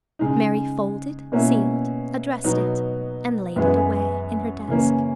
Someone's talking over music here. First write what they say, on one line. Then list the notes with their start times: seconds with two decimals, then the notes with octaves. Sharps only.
Mary folded, sealed, addressed it, and laid it away in her desk.
0.19 C#3 G#3 D#4
1.32 B2 A#3 C#4 E4
2.44 B2 F#3 B3 D#4
3.56 F#2 E3 G#3 B3
4.68 C#3 E3 A#3 C#4